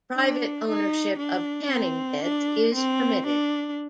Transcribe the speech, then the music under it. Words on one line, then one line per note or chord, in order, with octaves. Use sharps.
Private ownership of tanning beds is permitted.
D4
D#4
D4
C4
D4
C4
D4